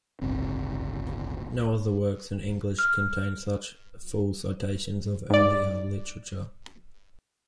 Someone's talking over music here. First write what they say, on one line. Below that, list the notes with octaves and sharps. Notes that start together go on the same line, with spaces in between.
No other works in English contain such full citations of earlier literature.
D1 G1 C#2 C4
F6
G#2 D5